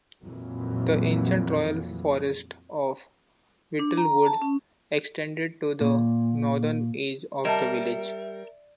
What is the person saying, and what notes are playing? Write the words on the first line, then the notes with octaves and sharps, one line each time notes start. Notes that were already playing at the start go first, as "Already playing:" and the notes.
The ancient royal forest of Whittlewood extended to the northern edge of the village.
F2 A#2 E3 F#3
D4
A#5
A5
C#4
A#2
G3 A#4 D#5 E5 A5